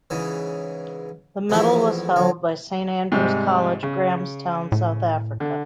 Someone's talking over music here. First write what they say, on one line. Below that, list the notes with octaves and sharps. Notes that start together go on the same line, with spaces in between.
The medal was held by Saint Andrew's College, Grahamstown, South Africa.
G#2 C#3 E3
E2 G#2 C3 F3 A3 E4
D2 F#3
G#2 C3 G3
C#3
A2
D3